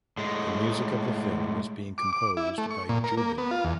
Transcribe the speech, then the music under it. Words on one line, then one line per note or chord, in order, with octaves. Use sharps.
The music of the film is being composed by Jubin.
A2 G#3
D6
D6
E4
A3
C#6
A#2
A#4
A#3
B3
F4
E2